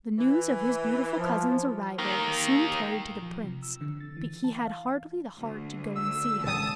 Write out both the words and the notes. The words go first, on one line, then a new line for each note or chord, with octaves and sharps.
The news of his beautiful cousin's arrival was soon carried to the Prince, but he had hardly the heart to go and see her.
E3
F3
D#3 A#3
A#1
F3
C3
E6
D3
A6
E3
A5
F5
D2
E6
G#1 G#2 C#3 A5 D#6